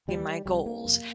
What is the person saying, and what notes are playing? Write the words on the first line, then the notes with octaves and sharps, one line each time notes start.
my goals.
D#2 G3
C2 C3 G3
A#3
F2 C3